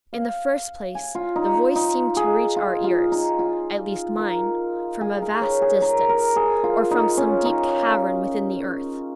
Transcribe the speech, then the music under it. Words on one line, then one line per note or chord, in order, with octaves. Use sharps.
In the first place, the voice seemed to reach our ears--at least mine--from a vast distance, or from some deep cavern within the earth.
F5
G#5
F4
D#4
D#4
D#4
G#4
F4
F4
D#4
F4
A#4
G#4
A#4
C#5
G#4
A#4
A#4
G#4
F4
D#4
C#4
D#4